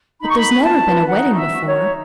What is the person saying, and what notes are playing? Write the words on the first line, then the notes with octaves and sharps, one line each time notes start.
But there's never been a wedding before.
D#4 B5
C#6
F#4 B5
F#4 A5
B4
D#4 F#5
F#4
E5
F#4
C#5
D#4